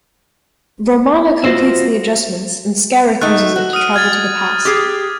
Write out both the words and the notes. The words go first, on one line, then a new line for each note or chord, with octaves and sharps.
Romana completes the adjustments, and Scaroth uses it to travel to the past.
F4 F#4 C5 E5
A3 D#4 F#6
F#4
D#6 F6 D#7
F6 G#6 A6
G4 G#4